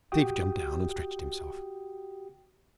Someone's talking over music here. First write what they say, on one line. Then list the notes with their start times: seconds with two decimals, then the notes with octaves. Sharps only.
Steve jumped down and stretched himself.
0.12 F#4 G4 G5 D#6